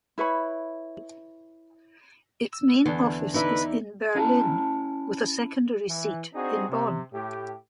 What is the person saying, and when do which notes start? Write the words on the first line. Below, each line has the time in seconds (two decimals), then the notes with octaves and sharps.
Its main office is in Berlin, with a secondary seat in Bonn.
0.18 E4 B4 C#5 B5
2.53 E6
2.86 E2 D3 B3 D4
3.34 D#4 E4 B4 D5 E5
4.15 A3 C#4 E4 F5 F#5 A5
5.89 E3
6.34 C4 D4 D#4 F#4 G#4 C5
6.69 C3
7.13 A2 G4